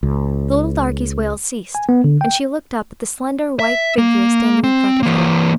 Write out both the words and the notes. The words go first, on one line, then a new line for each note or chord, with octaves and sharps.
The little darky's wails ceased, and she looked up at the slender white figure standing in front of her.
C#2
G#5
B3
D3
G5
E5
A#3
C4
E3 A#3